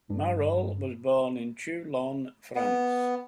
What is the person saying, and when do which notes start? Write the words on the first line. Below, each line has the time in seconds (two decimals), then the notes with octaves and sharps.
Mayol was born in Toulon, France.
0.10 G2
2.55 B3